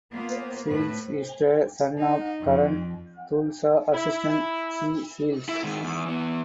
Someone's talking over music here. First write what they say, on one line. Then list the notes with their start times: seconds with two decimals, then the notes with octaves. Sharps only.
Seals is the son of current Tulsa assistant Shea Seals.
0.12 A#3 B3 F4
0.67 A2 B4
1.98 D#4
2.42 F2
3.93 E4
5.49 E4
5.64 D#3 G#3
5.83 E2
6.05 E3 B3